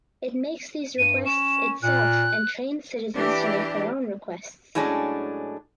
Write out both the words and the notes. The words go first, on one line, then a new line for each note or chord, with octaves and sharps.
It makes these requests itself and trains citizens to make their own requests.
G2 D#7
C#4 E7
A#2 F#6
E3 D4 G4
A2 F#3 G#3 C#4 D4